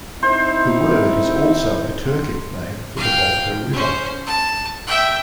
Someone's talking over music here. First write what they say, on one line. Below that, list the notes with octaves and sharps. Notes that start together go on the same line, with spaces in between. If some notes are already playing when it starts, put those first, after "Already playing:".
The word is also a Turkic name for the Volga River.
C4 D#4 E4 C5
F5 G5
C#4 C5
A5
E5 G5